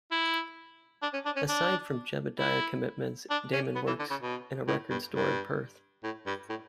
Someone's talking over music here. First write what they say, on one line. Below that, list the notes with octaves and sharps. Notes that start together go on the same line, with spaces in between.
Aside from Jebediah commitments, Daymond works in a record store in Perth.
E4
D4
C#4
D4
C#4
D4
E4
D4
C#4
B3
E3
D3
C#3
B2
A2
G2
G2
A2
G2
A2